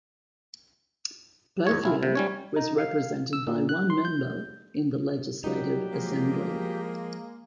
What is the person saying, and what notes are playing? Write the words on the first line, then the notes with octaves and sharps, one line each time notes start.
Berthier was represented by one member in the Legislative Assembly.
E2 G#2 C#5
B1 E4 F4
C3
G3 C#4 C#5
D#4
F5
E6
A#2
F#6
C6
G6
F#3 G3 D#4 G4
F3 G#3 A#3